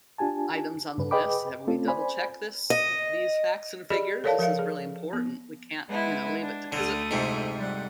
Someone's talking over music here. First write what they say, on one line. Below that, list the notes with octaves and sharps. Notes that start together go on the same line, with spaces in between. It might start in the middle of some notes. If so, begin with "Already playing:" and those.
items on the list. "Have we double checked this these facts and figures? This is really important. We can't, you know, leave it t" 'Cause it
D4 F4 G4 G#5 A5
G2 C#3 B4
G#4 B4 D#5 G5 B5 D6
A3 C4 C#4 F4 A4
C5 D5 G#5 B5
D#5
G4 G#4 D5 D#5 B5
A4 A#4 C#5 D5 F5 A5
F3 A#4 E5 F5
G#4
B3
G#3 B3 E4
D4
D2 D3 A3 D#6
F2 G#2 C3
G3 F#5